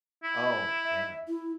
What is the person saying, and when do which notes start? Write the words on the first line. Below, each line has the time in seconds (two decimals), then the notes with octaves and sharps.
Oh, yeah.
0.24 E4
0.85 E5
1.28 E4